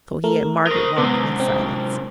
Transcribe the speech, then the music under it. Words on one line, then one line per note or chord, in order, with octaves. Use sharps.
So he and Margaret walked in silence.
A3 A#4
A#4 C5 D#6 A#6
C3 G#3 B3
C4